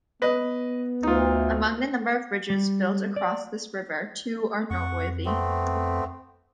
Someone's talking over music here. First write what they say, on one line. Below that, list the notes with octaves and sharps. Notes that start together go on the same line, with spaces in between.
Among the number of bridges built across this river, two are noteworthy.
B3 B4 D#5
D2 D#4 F4
G3
D5
F2 F#5 C#6
A3 B3 C4